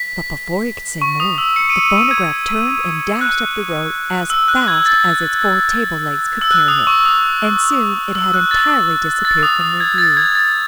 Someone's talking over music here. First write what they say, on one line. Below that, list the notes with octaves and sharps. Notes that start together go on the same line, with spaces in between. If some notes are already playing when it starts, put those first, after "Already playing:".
But before he could say more the phonograph turned and dashed up the road as fast as its four table-legs could carry it, and soon it had entirely disappeared from their view.
Already playing: B6
C#6
D#6
E6
C#7
D#7
D#7
D#7
G#6
F#6
E6
F#6
G#6
A6
E6
F#6
D#6
C#6
D#6
E6
F#6
A6
A6
D#6
D#6
G#6
A6
G#6
A6